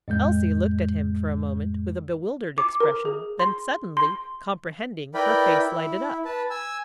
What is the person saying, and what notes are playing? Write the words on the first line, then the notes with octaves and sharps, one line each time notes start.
Elsie looked at him for a moment with a bewildered expression; then suddenly comprehending, her face lighted up.
F2 A2 G#3 G6
D6
A#4
G#4
C6
C6
E4 A#4 B4 D5 G5 B5
E4
B4 A5
G#5 E6